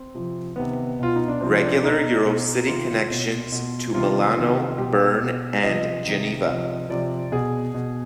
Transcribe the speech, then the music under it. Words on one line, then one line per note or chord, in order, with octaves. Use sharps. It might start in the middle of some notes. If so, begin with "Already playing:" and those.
Regular Eurocity connections to Milano, Berne and Geneva.
Already playing: C4
C3 F3
C3 D#3 B3
B2 F4
D#4
D4
C3 F3 C4
D4
B2 D#4
B2
C3 D#3 F4
B2
B2
C3 D#3 F4
C3 D#3
B2 G4
B2
C3 F3 D#5
C3 D#3
C3 F3 D#5
C3 F3 D5
B2 G#4
B2